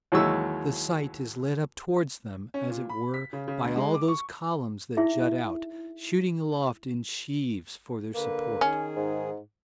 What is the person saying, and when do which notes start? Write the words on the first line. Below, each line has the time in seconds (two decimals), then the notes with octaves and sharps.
The sight is led up towards them, as it were, by all those columns that jut out, shooting aloft in sheaves, for their support.
0.12 D#2 E3 F#3 G#3 C#6 E6
2.54 C#4
2.70 A#2
2.89 B5
3.14 B6
3.33 C#3
3.48 C#3
3.63 D2
3.77 G#3
3.94 D6
4.08 C#6
4.97 D#4 E4 G#4 E5
8.15 D3 A#3 B4
8.61 D#3 C#4 G#4
8.97 G#2